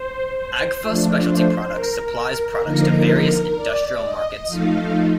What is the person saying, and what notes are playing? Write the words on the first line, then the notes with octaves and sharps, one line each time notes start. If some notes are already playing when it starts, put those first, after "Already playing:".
Agfa Specialty Products supplies products to various industrial markets.
Already playing: C5
C5
F3 A3 D4
C5
A#4
A#4
D3 F3 A#3 D#4 A#4
D5
D#5
F3 A3 D#4 F5